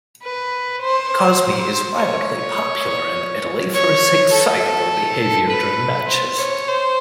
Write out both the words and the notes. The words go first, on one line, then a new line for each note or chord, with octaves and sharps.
Cosmi is widely popular in Italy for his excitable behaviour during matches.
B4
C5
C#5
C#5
A4
B4
C5
C#5
C5